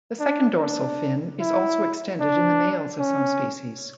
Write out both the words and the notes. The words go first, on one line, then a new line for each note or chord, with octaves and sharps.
The second dorsal fin is also extended in the males of some species.
D4
D4
E4
D4
C#4